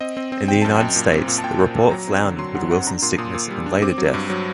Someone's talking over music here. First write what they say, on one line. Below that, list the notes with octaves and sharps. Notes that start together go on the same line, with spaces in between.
In the United States, the report floundered with Wilson's sickness and later death.
C4 D#5
C4
C4
C4 G5
F#2 A5
F#2 G5
A#2
C4
A#2
A5
A#2 G5
A#2
A#2
F#3 A#5
C4
D3
F#3 C6
F#2 F#5
C4 F#5
D4 A#5
A#2 C6
A#2 D#6
A#2
G3
D4
C4 D6
F#3
G2
F#3